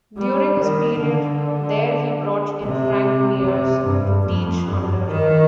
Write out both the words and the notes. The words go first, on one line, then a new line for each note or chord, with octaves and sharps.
During his period there he brought in Frank Mears to teach under him.
G3
D#3
D3
C3
C3
G2
F2
G2
D#3